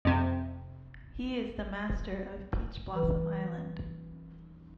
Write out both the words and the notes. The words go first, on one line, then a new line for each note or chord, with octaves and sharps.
He is the master of Peach Blossom Island.
F2 C3
E3 B4